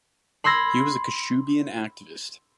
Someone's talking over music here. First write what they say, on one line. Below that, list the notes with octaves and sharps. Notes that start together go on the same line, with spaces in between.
He was a Kashubian activist.
B5 C6 E6 G#6 A#6